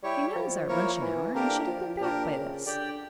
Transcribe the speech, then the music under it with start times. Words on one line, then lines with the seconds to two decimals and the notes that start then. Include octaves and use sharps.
She knows our luncheon hour, and should have been back by this.
0.03 G3 E4 G4 C#5
0.36 F3
0.68 F3 A#3 E4 A#4 C#5
1.02 E3
1.34 D3 A#3 D4 G4 A#4
1.67 F3
2.00 A#2 D4 G4 A#4
2.33 C#3
2.66 D3 G4 D5 G5